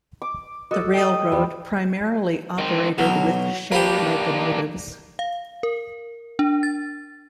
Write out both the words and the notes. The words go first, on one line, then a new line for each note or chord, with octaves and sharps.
The railroad primarily operated with Shay locomotives.
D6
F#4 A4 D#5
G5 A5 D#6
E2 G3
D#3 C4
B1 F#3
A#3 D4 G4 B4
F5
A#4
D4
A6